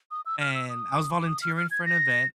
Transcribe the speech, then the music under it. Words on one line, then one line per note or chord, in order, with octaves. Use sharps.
and I was volunteering for an event,
D#6
E6
F6
E6
D#6
C#6
D6
D#6
F6
F6
G#6
A#6